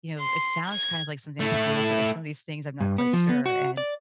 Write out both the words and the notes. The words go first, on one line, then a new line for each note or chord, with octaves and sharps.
you know, it sounds, kind of like, something I could do, but, like, some of these things I'm not quite sure, and
C6
G#6
A3 E4
G2
B3
F3
B3
F#4
D5